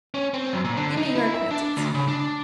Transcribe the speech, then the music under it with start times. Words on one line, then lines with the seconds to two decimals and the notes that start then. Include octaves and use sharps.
Give me your acquaintance.'
0.14 C#4
0.34 C4
0.53 F#2
0.64 A#2
0.77 D3
0.97 D#4
1.15 E4
1.35 E5
1.51 D4
1.77 D2
1.95 C#3
2.09 D4